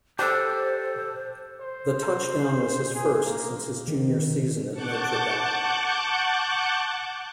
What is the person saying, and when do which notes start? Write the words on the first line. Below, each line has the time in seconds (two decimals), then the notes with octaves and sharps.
The touchdown was his first since his junior season at Notre Dame.
0.19 D4 G4 A4 C5
1.61 C5
2.95 G#4
3.25 A#3
3.88 D#3
4.72 F#5 A5 C#6 D6 F#6 G6